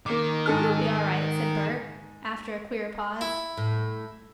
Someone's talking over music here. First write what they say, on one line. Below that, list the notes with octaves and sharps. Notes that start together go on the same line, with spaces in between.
"You'll be all right," said Bert, after a queer pause.
D#3 A#3 D6
G#2 A4 F6
E4
A2